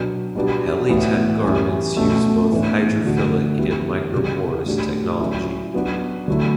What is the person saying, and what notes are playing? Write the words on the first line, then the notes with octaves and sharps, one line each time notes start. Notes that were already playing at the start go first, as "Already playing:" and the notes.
Helly Tech garments use both hydrophilic and microporous technology.
Already playing: B2 F#3 B3 D4
B2 G3 B3 D4 F#4
A2 E3 B3 F#4
E3 G3 C#4
B2 A3 C#4
A2 E3 B3 D4
D3 A3 D4 F#4
E3 G3 B3 D4 F#4
C#3 G3 B3 F#4
A2 G3 D4 F#4
F#3 C#4 E4
F#3 B3 D4 F#4
D3 F#3 A3 E4